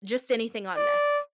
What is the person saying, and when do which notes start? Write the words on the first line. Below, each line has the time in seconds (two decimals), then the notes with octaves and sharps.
"Just anything on this
0.76 D5